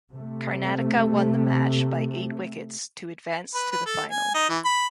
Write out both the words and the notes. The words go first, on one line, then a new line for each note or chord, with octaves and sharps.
Karnataka won the match by eight wickets to advance to the final.
C3 A3
B4
B4
A4
G#5
D#4
E3
B5